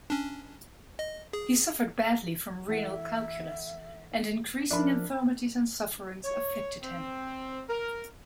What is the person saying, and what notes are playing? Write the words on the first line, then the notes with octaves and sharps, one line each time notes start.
He suffered badly from renal calculus, and increasing infirmities and sufferings afflicted him.
C#4 D4
D#5
G#4
E3 A4 E5 F#5
F3 D4 A#4 E5 B5
C#5
C4
A#4